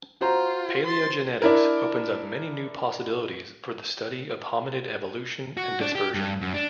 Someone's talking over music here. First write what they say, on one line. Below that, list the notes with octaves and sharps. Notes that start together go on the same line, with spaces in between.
Paleogenetics opens up many new possibilities for the study of hominid evolution and dispersion.
F4 F#4 C5 A#5
C6 A6
D4 E4 A#4
F#4
D4
G4
G2
F#2
D4